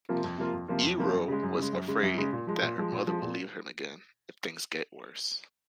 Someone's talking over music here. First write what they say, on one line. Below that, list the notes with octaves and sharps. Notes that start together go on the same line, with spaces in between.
Eero was afraid that her mother will leave him again if things get worse.
C3 F3 A#3 F4
F2
C3 F3 A#3 F4
F2
C3 F3 A#3 F4
F2
C3 F3 A#3 F4
F#2
C#3 G#3
F#2
C#3 G#3
F#2
C#3 G#3
F#2
C#3 G#3
A#2
F3 G#3
A#2
F3 G#3
A#2
F3 G#3
A#2